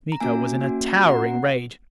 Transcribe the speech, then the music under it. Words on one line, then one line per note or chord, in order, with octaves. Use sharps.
Miko was in a towering rage.
A#5
A#3 C#4 F#4 G#5
A#3 C#4 F#4
A#3 C#4 F#4 A#5
F#5